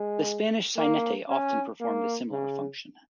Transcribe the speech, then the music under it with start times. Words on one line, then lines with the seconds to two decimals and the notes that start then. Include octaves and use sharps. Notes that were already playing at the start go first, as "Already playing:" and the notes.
The Spanish Sainete often performed a similar function.
Already playing: G#3
0.77 A#3
1.29 C#4
1.80 A#3
2.31 C#3